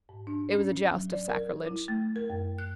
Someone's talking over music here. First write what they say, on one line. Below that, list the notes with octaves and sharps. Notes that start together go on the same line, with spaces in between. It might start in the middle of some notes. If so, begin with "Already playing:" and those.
It was a joust of sacrilege.
G#2
D4
C#4
F#3
D5
A#4
E4
A3
A#4
F#2
F#6